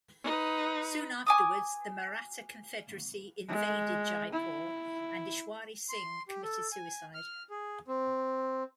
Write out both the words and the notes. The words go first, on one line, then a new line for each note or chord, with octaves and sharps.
Soon afterwards the Maratha Confederacy invaded Jaipur and Ishwari Singh committed suicide.
D#4 B4
G#5 D6 D#6
G#3
E4
C6
G4
A4
G#5
F6
G#4
C4